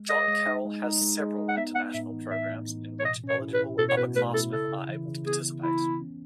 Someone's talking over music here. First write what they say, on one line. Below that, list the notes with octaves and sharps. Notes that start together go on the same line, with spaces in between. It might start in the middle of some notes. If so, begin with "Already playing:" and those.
John Carroll has several international programs in which eligible upperclassman are able to participate.
Already playing: G#3
G#4 D#5
G#3
D#4
G#3
D#4
G#3
G#3
D#4
F#5
B3 E5
B3 F#5
A2 E5
E3
A2 E5
A2
E3
A2
C#5
B2 D#5
C#4
C#5
E4
B4
E4
B2 A4
C#5
B2 B4
A3 B4
E4 A4
C#3 A4
C#3
E3
C#3
B3 G#4
C#3
E3 E4
B3
C#4